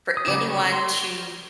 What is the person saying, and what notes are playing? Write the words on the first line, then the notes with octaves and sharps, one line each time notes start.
for anyone to
D#6
C#3 F#3 B3 D#4 D6
C#6
C6